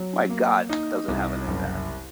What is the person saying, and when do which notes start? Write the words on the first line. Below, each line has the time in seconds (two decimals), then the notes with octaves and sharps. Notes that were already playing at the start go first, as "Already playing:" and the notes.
my god, does it have an impact.
Already playing: F#3
0.30 A#3
0.69 D#4
1.08 C2
1.48 F#1